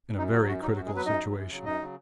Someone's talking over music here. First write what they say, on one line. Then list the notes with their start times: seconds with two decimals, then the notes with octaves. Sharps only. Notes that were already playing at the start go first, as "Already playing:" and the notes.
In a very critical situation.
0.18 F#2 D#4
0.32 F#3 F#4
0.46 F#2 F#4
0.62 F#3 D#4
0.76 F#2 F#4
0.86 G#3 G#4
0.92 F#3 B3 B4
1.06 F#2 D#4 D#5
1.21 F#3
1.36 F#2
1.50 C#3 F#3
1.65 F#2 D#4 D#5
1.80 C#3 F#3